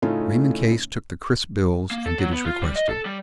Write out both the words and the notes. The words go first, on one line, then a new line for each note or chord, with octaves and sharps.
Raymond Case took the crisp bills and did as requested.
A2 C#3 A3 C#4 D#4 F4
A#3
A4
F#3
B3
F4
G3
D#5
A4
G3